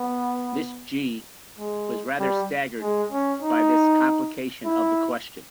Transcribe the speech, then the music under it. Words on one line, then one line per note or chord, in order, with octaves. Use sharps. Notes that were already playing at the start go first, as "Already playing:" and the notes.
Miss G. was rather staggered by this complication of the question.
Already playing: B3
G#3
G3
G#3
C#4
D#4
E4